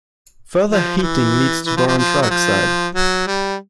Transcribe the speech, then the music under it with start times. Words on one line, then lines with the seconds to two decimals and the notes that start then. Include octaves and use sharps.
Further heating leads to boron trioxide.
0.70 F3
0.97 F3
1.02 E3
1.66 E3
1.77 F3
1.87 F3
1.98 F3
2.22 F#3
2.30 F3
2.95 F#3
3.27 G3